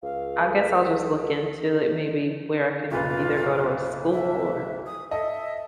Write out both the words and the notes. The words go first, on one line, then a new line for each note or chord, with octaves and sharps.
I guess I'll just look into it maybe where I can either go to a school or
C#2 F5
A4
F#1 B1 F4 B4
E5
D#6
A4 D#5 E5